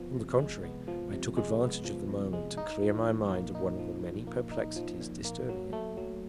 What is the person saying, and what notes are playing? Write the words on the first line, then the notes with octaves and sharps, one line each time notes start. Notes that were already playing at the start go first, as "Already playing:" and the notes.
On the contrary, I took advantage of the moment to clear my mind of one of the many perplexities disturbing it.
Already playing: F3 B3
C3
G#3
B3
F3
C3
G#3
B3
F3
C3
G#3
D#4
F3
A#2
A#3
D#4
F3
A#2
A#3
D#4
F3
A#2
A#3
F#3
A3
F#3